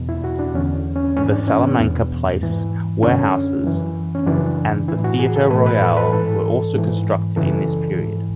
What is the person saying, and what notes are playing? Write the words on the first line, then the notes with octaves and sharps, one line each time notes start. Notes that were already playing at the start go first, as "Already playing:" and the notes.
The Salamanca Place warehouses and the Theatre Royal were also constructed in this period.
Already playing: E2 B2
E4
F#4
D4
E2 D3 C#4
C#4
G#2 E3 C#4
D4
C#4
B3
E2 B2
G#2 E3
F#2 D3 C#4
F#2 E3
C#4
F#2 C#3 E3 D4
A2 E3 E4
F#4
G#4
A4
A2 E3 B4
B4
A4
B4
G#2 E3 A4
G#2 E3
F#2 C#3 E3 A4
G#2 E3